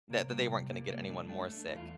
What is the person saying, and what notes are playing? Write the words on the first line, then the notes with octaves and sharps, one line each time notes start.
th that they weren't gonna get anyone more sick.
C3 A#3
G3 A#3
C3
G3 A#3
A3 A#3
A3 D4
A3 D4
A3
E2 E4
F4